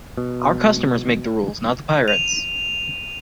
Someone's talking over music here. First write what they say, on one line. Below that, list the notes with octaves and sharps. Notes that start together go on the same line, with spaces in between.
Our customers make the rules, not the pirates.
B2
D#7 F7